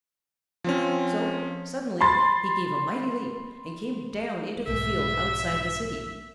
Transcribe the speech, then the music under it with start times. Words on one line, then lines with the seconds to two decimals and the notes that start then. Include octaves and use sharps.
So, suddenly he gave a mighty leap and came down into the field outside the City.
0.64 F3 C4 C#4
2.01 B5 C6 A6
4.67 B1 G#2 E5